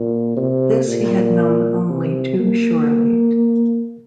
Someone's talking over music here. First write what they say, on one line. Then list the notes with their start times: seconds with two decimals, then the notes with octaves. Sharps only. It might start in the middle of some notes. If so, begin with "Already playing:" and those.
This he had known only too surely.
Already playing: A#2
0.37 C3
0.88 A#2
1.89 C3
2.39 A#3